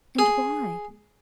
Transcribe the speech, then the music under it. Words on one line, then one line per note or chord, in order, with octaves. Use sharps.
And why?
G#4